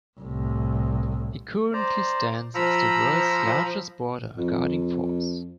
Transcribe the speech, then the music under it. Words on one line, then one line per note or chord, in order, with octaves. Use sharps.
It currently stands as the world's largest border guarding force.
C2 A2
C5 D5 A#5
F3 A#5 B5 E6
F2